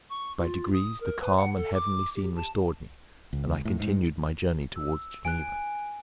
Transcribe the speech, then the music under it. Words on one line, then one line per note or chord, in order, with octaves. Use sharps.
By degrees the calm and heavenly scene restored me, and I continued my journey towards Geneva.
C#6
F4
D#6
A#4
B4
F#5
A4
D6
G4
A5
C#2
A2
G#2
E6
G#5 F#6 D7